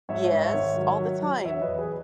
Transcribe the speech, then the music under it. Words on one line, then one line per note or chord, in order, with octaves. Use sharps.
Yes, all the time.
G#2 C#5 E5
G#2
C#5 E5
D#3
F#3
F#3
F#3
E2 C#5 E5
B4 D#5
E2
G#4 B4